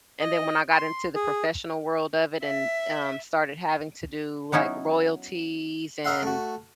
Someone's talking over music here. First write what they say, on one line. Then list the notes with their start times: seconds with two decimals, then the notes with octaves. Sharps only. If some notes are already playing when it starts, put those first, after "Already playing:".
and then when I got into the professional world of it and, um, started having to do like royalties and,
0.20 D#5
0.71 C6
1.15 G#4
2.42 E5
4.52 F#3 B3 C#4 D#4 E4
6.05 A#4 D#5 E5 F#5 C6
6.22 A3 F#4